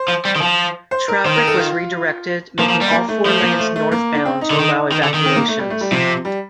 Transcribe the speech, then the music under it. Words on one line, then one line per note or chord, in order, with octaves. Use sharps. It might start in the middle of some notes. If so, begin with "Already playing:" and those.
Traffic was redirected, making all four lanes northbound to allow evacuations.
Already playing: C5
F3
G3
D#3
F3
C5
A#4
D#3 C5
A#4
A4
F4
F3 A#3
F3
G3
A#3
A3
F3 A3
A#3
A3
A3
A#3
D4
C4
D#4
D3
D#3
D#3
D3
D#3
C4
A#3
A3
G3
A3
G3
C3 F3
G3